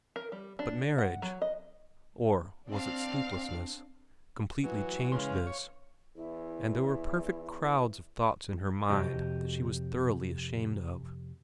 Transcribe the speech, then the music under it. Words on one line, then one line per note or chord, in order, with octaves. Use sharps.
But marriage--or was it sleeplessness?--completely changed this, and there were perfect crowds of thoughts in her mind that she was thoroughly ashamed of.
A#4
G3
D4
F#5
F#3
D#5
C4 D4 D5 F5
E3 F#3
C#3 G#3 F5 C6
C#5
E2 E4
F2 C3 F#4 G4 D#5